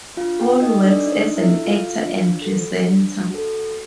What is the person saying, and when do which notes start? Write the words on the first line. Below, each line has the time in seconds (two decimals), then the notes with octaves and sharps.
Paul works as an actor and presenter.
0.17 D4 F4 F5
0.40 G4 G5
0.62 D#4 F#4 A4 D#5
0.84 D4 D5
1.07 D4 D#4 D#5
1.37 E4 E5
1.51 F#4 A4
1.66 F4 F5
1.97 D4
2.41 F#4 A4
2.85 D4
3.31 F#4 A4